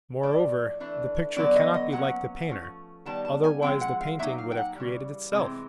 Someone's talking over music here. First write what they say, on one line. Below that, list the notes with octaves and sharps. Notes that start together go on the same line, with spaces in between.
Moreover, the picture cannot be like the painter; otherwise, the painting would have created itself.
A2 F3 A3 D5
E3 A3 D4
D3 F#3 B3 D4 D5
D#5
D#5
F#3 A#3 C#4 F#5
F3 A3 C#4
D#3 G3 B3 A5
A5
G#5
F3 G#3 C4 G5
F#5
F5
F#3 A#3 D#4 E5
F5
G5
F#5
C#3 E3 G3
C3 E3 G#3 C4